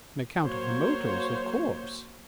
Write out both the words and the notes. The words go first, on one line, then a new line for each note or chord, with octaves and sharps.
"On account of the motors, of course."
F#3 A#3 F#4 C5 C#5